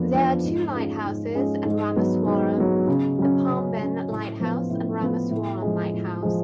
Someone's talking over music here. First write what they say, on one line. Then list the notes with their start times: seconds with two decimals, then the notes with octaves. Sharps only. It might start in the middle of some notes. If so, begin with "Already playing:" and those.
There are two lighthouses in Rameswaram, the Pamban lighthouse and Rameswaram lighthouse.
Already playing: F2 F3 B3 D4 F4
0.14 F3 B3 D4 F4
0.44 G#2
0.74 G#3 C#4 F4
1.05 G#2
1.35 G#3 C#4 F4
1.65 G#2
1.96 F#3 B3
2.26 G#2
2.57 F#3 B3
2.88 C#3
3.19 F#3 C#4
3.48 C#3
3.79 F#3 C#4
4.09 A2
4.40 F3 B3 F4
4.70 A2
5.01 F3 B3 F4
5.31 A2
5.62 F3 G#3
5.93 A2
6.23 F3 G#3